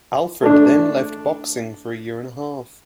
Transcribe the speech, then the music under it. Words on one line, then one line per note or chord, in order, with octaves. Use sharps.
Alfred then left boxing for a year and a half.
A3 D4